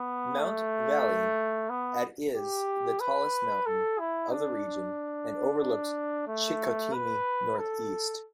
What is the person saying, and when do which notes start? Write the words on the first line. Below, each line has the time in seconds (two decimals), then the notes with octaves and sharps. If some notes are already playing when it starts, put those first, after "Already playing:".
Mount Valin at is the tallest mountain of the region, and overlooks Chicoutimi north-east.
Already playing: B3
0.39 A3
1.70 B3
2.35 G4
3.00 B4
3.66 A4
3.99 E4
4.32 D4
6.28 A3
6.93 B4
7.59 A4